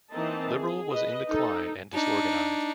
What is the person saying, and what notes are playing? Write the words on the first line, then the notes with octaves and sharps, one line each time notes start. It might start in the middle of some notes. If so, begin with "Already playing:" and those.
Liberal was in decline and disorganised.
E3 A#3 C4 D#4 D#5 A5
G#4
B4 D#5
D#4 A4
D4 D#4